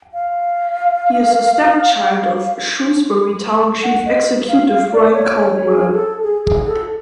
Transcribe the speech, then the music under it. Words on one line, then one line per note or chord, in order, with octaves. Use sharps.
He is the stepchild of Shrewsbury Town chief executive Brian Caldwell.
F5
F#5
D#5
F5
F5
D5
C#5
C#5
G#4
A4
G#4
G#4
A4